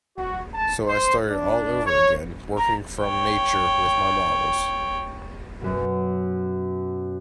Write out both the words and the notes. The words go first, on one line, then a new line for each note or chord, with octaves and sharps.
So I started all over again, working from nature, with my models.
F#4
A5
C5
D4
C#5
A#5
C#5 G5
F#2 B2